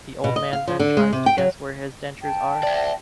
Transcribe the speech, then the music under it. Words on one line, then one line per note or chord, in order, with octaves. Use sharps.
The old man then tries to guess where his dentures are.
B2
D#5
F5
F3
D3
G#3
C3
G5
F#3
G5 A5
D5 E5